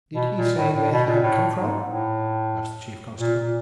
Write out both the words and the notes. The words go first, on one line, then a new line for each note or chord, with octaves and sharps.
"Did he say where he had come from?" asked the chief constable.
B2
A#2
A2
A2
B2
A#2
A2
G#2
A2
A#2
A#2